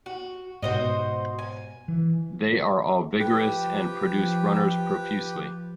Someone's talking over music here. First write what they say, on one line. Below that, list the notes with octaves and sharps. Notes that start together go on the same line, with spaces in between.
They are all vigorous, and produce runners profusely.
F#4
G#2 B2 F#4 C5 D#5
G#5
E3
F3 G4 B4 G5